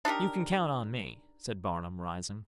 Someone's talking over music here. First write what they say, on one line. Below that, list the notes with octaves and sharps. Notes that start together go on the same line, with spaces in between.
"You can count on me," said Barnum, rising.
D4 D#4 G4 A#4